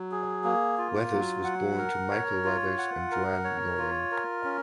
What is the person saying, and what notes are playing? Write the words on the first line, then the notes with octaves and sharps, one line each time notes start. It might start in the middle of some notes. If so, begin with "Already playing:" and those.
Weathers was born to Michael Weathers and Joann Loring.
Already playing: F#3
G#4
A#3
F4
F#3
F#5
A#4
C#5
F4
F#5
A#4
C#5
F4
A#4
C#4